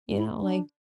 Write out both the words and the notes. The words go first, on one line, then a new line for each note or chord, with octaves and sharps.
you know, like,
D4
E4
D4